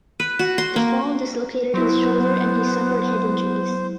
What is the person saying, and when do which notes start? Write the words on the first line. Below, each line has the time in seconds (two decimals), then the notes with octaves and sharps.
The fall dislocated his shoulder and he suffered head injuries.
0.20 B4
0.39 F#4
0.58 C6
0.76 A#3
1.74 F#3 B3 E4 C5